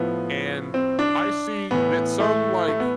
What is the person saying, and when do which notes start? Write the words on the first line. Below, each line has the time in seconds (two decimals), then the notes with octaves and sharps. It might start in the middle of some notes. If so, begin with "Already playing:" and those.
and I see that some, like,
Already playing: A2 F3 B3
0.74 C4
0.99 D4
1.71 A2 E3 B3
2.20 A3
2.68 A3
2.80 B3